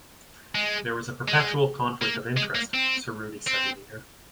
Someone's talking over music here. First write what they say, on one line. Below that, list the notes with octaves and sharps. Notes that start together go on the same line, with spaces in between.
"There was a perpetual conflict of interest", Cerruti said later.
G#3
G#3
A#3
G#3
A#3
C4
C4